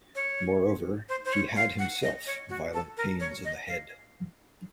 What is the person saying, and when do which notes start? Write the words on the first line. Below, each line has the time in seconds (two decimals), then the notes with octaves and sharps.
Moreover, he had himself violent pains in the head.
0.15 C#5
1.09 C5
1.25 C5
1.33 C#5
1.56 F5
1.79 F#5
2.03 D#5
2.26 C#5
2.50 F#4
2.74 A4
2.97 A#4
3.20 C#5
3.45 D#5
3.68 F5